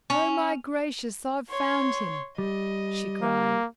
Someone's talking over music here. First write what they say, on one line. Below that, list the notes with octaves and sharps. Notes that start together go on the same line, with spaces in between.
"Oh, my gracious, I've found him!" she cried.
C#4
C#5 C6
G3 D#5
A#3